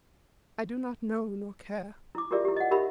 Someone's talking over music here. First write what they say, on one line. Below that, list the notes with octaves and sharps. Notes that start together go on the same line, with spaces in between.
I do not know, nor care.
E4 D6
F4 G4 G#4 A#4 D5 E5
E4 G4
D#5 F#5
D#4 G4 A#4 E5 B5